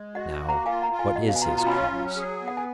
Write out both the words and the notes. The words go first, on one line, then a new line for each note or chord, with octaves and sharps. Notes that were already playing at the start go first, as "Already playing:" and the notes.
Now, what is his cause?
Already playing: G#3
F#4 D#5 F#5
A#3
F#5 A#5
F4 F5 G#5
F#5 A#5
F4
F5 G#5
B2 D#5 F#5
C#5 F5
G#5
F4 F#5 A#5
A#5
C#4 G#5 B5
F#3
G#4
B3
F#5
G#5